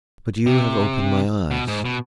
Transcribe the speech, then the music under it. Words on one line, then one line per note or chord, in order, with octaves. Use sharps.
But you have opened my eyes.
C3
B2
G#2
B2